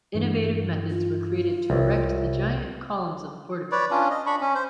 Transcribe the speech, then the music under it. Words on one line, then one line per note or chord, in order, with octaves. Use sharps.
Innovative methods were created to erect the giant columns of the portico.
G2 E3
F4
C2 B4 C#5
B4 C#5 D5
C#4 D4 F4
D#5
D4 B5 C#6
C#4
C5